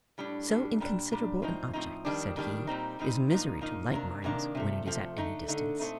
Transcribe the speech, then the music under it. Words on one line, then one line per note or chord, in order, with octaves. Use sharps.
So inconsiderable an object, said he, is misery to light minds, when it is at any distance.
A2 G3 D4
A2 G3 D4
A#2 G3 D4
A#2 G3 D4
A2 F3 C4 D#4
A2 F3 C4 D#4
F2 D#3 G3 D4
F2 D#3 G3 D4
A#2 G3 C4 D#4
A#2 G3 C4 D#4
A#2 F3 A#3 D#4
A#2 F3 A#3 D#4
C3 D#3 A#3 D4
C3 D#3 A#3 D4
C3 F3 A3
C3 F3 A3
D3 A3 D#4
D3 A3 D#4
A#2 A3 C4 D#4